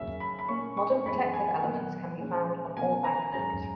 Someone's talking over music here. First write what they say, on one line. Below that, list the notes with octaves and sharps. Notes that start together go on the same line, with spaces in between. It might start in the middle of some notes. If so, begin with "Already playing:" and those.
Modern protective elements can be found on all banknotes.
Already playing: C#3 F#3 A#3 C#4 E5
B5
B5
A#2 A#3 C#4 C#6
C#6
F#2 E3 G#3 B3 B5
G#5
A#2 F#3 B3 F#5
A#2 G#3 C#4
B2 A#3 C#4 G#5
A#5
G#2 F#3 C#4 A#5